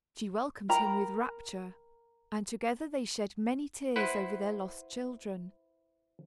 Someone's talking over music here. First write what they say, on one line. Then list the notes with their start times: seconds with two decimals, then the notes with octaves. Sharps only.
She welcomed him with rapture, and together they shed many tears over their lost children.
0.69 A#4 G5 A#5 B5
3.96 E4 B4 C5 F#5